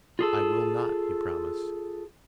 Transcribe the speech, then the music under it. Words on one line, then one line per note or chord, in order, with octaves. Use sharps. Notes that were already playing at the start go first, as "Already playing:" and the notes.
"I will not," he promised.
F4 G#4 A4